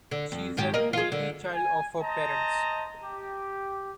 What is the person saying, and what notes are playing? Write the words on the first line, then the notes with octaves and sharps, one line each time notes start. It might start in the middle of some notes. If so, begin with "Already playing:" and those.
She is an only child of her parents.
D3
F2
G#2 D#3 G4
A#3 A#4 D#5
F4 G#4
D3
G#5
C5 D#5 A5 A#5
G4